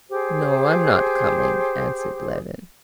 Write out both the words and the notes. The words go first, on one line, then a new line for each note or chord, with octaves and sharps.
"No, I'm not coming," answered Levin.
G4 G#4 C5